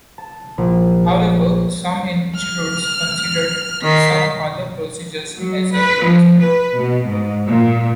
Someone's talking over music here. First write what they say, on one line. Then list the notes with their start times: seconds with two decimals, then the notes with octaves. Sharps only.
However, some institutes considered some other procedures as a replacement.
0.18 A5
0.58 A#1
2.36 F6
3.83 D#3 B6 C7
5.36 F#3
5.73 B4
6.03 F3
6.38 B4
6.78 B2
7.09 G#2
7.49 A#2